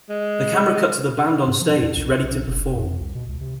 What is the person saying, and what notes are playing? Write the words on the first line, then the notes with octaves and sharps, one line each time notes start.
The camera cut to the band on stage, ready to perform.
G#3
G#2
F3
E2
B1
B1
F1
F2
C2
B2
C#2
C3